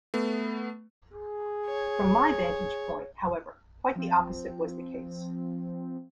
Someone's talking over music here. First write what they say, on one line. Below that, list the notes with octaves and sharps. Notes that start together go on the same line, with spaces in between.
From my vantage point, however, quite the opposite was the case.
A3 B3
G#4
C#5
F3 C4